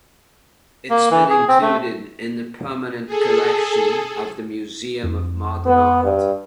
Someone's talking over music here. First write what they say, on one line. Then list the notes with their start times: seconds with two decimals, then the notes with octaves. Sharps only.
It has been included in the permanent collection of the Museum of Modern Art.
0.90 A#3
1.11 E3
1.30 G#4
1.48 C4
1.62 A3
3.06 G#4 A4
5.04 F2
5.66 B3
6.04 G2